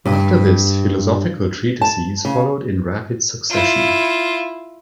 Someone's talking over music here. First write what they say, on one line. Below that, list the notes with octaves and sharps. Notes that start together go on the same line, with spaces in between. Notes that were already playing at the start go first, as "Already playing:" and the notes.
After this, philosophical treatises followed in rapid succession.
G2
A5
C#3
E4 F4